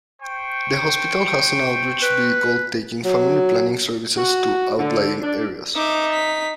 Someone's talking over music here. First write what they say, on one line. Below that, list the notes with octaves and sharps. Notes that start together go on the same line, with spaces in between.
The hospital has an outreach vehicle taking family planning services to outlying areas.
C5 G5 C#6
B4
F#3
F#4
D3
D4
D#4 E5 D6
B6